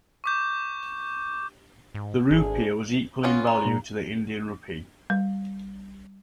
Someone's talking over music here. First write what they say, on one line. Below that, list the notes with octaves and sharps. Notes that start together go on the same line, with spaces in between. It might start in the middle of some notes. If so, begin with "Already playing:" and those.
The rupia was equal in value to the Indian rupee.
C#6 D6 G6
G#2
G#1 D2 D4 G#4
B3 C#4 F4
A#5
A#2
G3